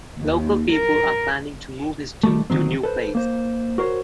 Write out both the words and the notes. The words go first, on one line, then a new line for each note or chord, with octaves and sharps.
Local people are planning to move his tomb to new place.
D#2
A#4
D#3 G3 A3
D2 A#2 D#3 F#3 C4
A4 B4 C5
A#3 C5
F#4 A#4 C5 C#5